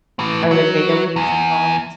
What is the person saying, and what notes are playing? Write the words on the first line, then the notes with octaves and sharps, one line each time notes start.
Are there video games involved?
A2 E3
F#3
E2